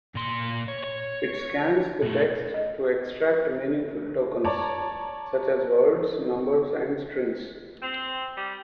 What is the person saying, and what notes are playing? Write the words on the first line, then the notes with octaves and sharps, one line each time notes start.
It scans the text to extract meaningful "tokens", such as words, numbers, and strings.
A#2 C6
C#5
C#5
B2 A3
D#5
C#5 D5 A5 A#5
C4
G3